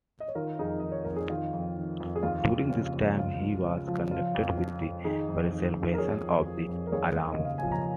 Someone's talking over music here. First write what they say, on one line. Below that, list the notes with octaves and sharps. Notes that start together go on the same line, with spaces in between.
During this time he was connected with the preservation of the Alamo.
D#5
C#5
D#3 F4 A#4
F2 D#4 G#4
D#3 D#5
C#5
F2 A#4
G#4
D#3 F4
F2
D#3
F2
G#4
D#2 F4
D#2
C#3
F3
C#2 F4
C#2
C#3
F3
F3 F4
F2
F3
F2
D#3 D#4 G#4
F2
D#3
F2
A#4
F3 G#4 C#5
F2
F3
F2
A#4
D#2 G#4 C#5
D#2
D#5
C#3
F5
F3 G#5
A#5